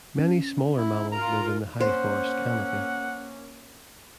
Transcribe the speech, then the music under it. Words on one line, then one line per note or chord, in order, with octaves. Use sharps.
Many smaller mammals live in the high forest canopy.
C#4
E4
F4 A#4 A#5
A#3 C#4 C5 F#5